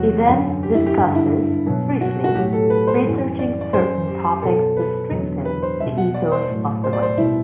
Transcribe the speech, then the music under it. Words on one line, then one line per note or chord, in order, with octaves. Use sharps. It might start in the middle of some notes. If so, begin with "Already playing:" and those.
He then discusses, briefly, researching certain topics to strengthen the ethos of the writer.
Already playing: E2 C3 F#3 F#4
F#2 D3 F#3
G4
E4
G4
G2 D3 G3 G4
E4
B2 F#3
F#4
F#4
A2 F#3 G4
A4
B4
C5
F#2 E3 G3
D5
D5
F#2 F#3 C5
G4
B2 F#3 A4
B4
E2 D3 F#3
B4
C5
B2 G3 E5
F#5
D5
C5
A2 F#3
C5
D5
C5
B2 G3 E4